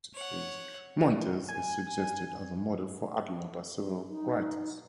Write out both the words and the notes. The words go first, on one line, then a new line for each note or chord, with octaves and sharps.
Montez is suggested as a model for Adler by several writers.
C#5 F#5
G#5
D#4